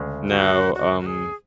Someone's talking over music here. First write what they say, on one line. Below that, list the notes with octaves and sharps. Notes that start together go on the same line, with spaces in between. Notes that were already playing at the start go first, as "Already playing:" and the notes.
Now, um,
Already playing: D2 C#3 G#3
F#4
F#4
F#4
G#4